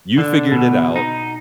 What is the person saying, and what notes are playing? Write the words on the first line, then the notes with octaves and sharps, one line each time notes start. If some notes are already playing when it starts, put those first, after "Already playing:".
you figured it out,
D3
B2
D#4